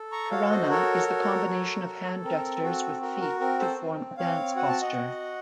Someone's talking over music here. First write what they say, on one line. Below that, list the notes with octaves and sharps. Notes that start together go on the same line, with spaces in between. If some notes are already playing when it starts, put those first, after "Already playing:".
Karana is the combination of hand gestures with feet to form a dance posture.
Already playing: A4
A#5 C#6
F#4 C#5 F5
C5 D#5
A4 A#4 C#5
F#4
A4
A4
C4 A#4
F#4 A4
F#4 A#4
A#4
C4 A#4
A4 C5
C4
C4 C#5 F5
F#4 F#5
A5
D#5 F#5
F#4